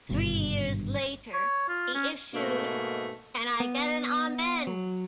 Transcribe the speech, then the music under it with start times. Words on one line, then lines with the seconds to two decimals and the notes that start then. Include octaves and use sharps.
Three years later, he issued "Can I Get an Amen".
0.09 G#1 G2 B2 D3
1.34 C#5
1.69 F4
1.94 C#4
2.34 G#2 B2 A3 A#3
3.60 B3
4.67 F#3